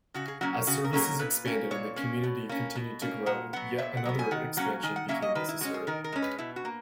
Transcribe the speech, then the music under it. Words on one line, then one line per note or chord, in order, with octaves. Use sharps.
As services expanded and the community continued to grow, yet another expansion became necessary.
C#3 F#4
G#4
F#3 A#3 C#4 F#4
C#3 F#4
A#4
F#3 A#3 C#4 G#4
A#4
A#2 B4
A#3 C#4
A#2 C#5
A#3 C#4
B2
A#3 C#4
B2
A#3 C#4
A#2 F#5
F#3 B3 F#5
A#2 E5
F#5
F#3 B3
G#5
D#3 F#5
F#3 A#3 C#4 F#5
D#3 G#5
F#5
F#3 A#3 C#4 E5
D#5
D#3 B4
E4
G#3 C#4 F#4
G#4
D#3 A#4
A#4
G#3 C#4
B4
B2 E4
F#4
A#3